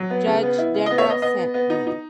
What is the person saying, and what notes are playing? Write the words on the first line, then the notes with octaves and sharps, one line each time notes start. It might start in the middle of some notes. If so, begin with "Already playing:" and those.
Judge Debra sent me.
Already playing: F#3
B3
C#3
B3
E4
C#3
D#5
B3
C#5 E5
B3 D#5
B3 D#5
B3
B3
D#4
D#4